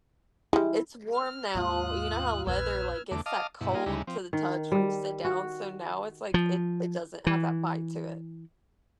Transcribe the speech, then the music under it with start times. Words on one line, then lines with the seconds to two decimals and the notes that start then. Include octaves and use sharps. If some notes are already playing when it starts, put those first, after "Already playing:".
It's warm now. You know how leather, like, gets that cold to the touch when you sit down? So now it's like it it doesn't have that bite to it.
0.53 G3 G#3 E4
1.13 F6
1.55 D#2 G#2 F4 D#6 F#6
2.47 A#1 E2 B4 E6 F6 G#6
3.11 E2 D3 A3 D6
3.26 D#5 F5 A5 D6 D#6 F6
3.61 G2 B2 E4
3.75 A#3 D#4 F4 G#4
3.86 D2 C#3 G3 G#3 D#4 E4
4.07 F3 C4
4.33 D#3
4.72 G3
5.25 F#4
6.34 F3
7.27 E3